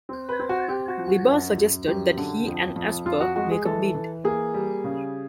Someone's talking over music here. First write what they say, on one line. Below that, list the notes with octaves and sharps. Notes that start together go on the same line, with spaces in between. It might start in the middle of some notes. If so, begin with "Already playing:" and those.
Liba suggested that he and Asper make a bid.
C4
B4
C4
F#4
C4 G4
F#4
F3
F#4
F#2
F#2
F#2 G4
D3
F2
F2
F2 F4
F#4
G#3 F#4
G#4
E3 A4
E3
A#3 G#4
G3
C#3